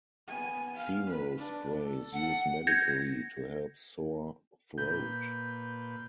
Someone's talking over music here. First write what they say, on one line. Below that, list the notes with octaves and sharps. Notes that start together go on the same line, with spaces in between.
Phenol spray is used medically to help sore throat.
B3 G#5
F5
B4
D4
A4
F#5
G6 G#6 A#6 C#7
A#2 B4 G6